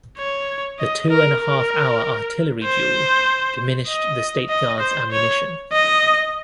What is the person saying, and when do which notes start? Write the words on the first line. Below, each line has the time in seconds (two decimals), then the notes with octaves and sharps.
The two and a half hour artillery duel diminished the State Guard's ammunition.
0.17 C#5
0.79 D#5
1.10 A#4
1.41 A#4
2.64 C5
3.88 D#5
4.49 D#5
4.80 C5
5.12 C#5
5.73 D#5